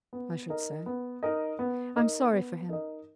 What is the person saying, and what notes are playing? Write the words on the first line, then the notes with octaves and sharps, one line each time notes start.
I should say. I am sorry for him.
B3
D#4 A#4 D#5
B3
D#4 A#4 D#5
B3
D#4 A#4 D#5
B3
D#4 A#4 D#5